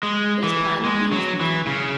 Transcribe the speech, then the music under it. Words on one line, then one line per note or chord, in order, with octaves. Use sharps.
This plan pleased the King.
G#3
E3
G#3
F#3
E3
C#3